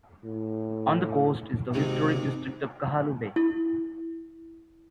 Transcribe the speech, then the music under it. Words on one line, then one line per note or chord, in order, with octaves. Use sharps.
On the coast is the historic district of Kahaluu Bay.
A2
G#1 C3 C4 D#4
E4